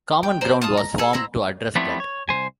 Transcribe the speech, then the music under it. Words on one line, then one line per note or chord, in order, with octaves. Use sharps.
Common Ground was formed to address that.
G5
C5 D5 A#5
F4 A5 D#6
A#5
G#4 A4
C4 E4 A#5
F3 G3 A3 B3 C4 E4
C#5
C2 F3 C5 G#5